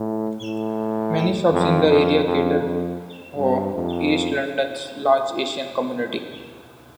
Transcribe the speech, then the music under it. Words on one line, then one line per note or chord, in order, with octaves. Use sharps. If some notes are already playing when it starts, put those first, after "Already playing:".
Many shops in the area cater for east London's large Asian community.
Already playing: A2
A2
F2
F2
F2
F2
G2
F2